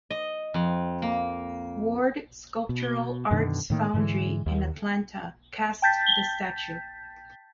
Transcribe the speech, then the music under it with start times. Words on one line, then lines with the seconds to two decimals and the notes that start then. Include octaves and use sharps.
Ward Sculptural Arts Foundry in Atlanta cast the statue.
0.10 D#5
0.54 F2
1.02 A#3
2.69 B2
3.31 F#2 B2 D3 D#3
3.70 A2 D#3 A#3
3.94 G#2 D3 E3 G#3
4.46 D#2
5.82 G5 A5 G6 A6 B6